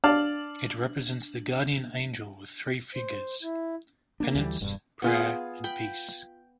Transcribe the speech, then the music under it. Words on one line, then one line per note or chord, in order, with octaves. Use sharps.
It represents the Guardian Angel with three figures: Penance, Prayer and Peace.
D4 D5 F5 A5 F#7
C5
E4
A#3 C#4 D4
D2 E3 G3
E1 G2
B3 F4 G#4
G5 B5